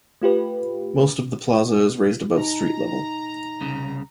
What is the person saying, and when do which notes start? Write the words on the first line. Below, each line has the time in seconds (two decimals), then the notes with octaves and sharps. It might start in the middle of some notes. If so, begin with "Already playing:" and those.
Most of the plaza is raised above street level.
0.22 A3 F4 G4 B4
2.37 D#4 A#5
3.61 C2 C#3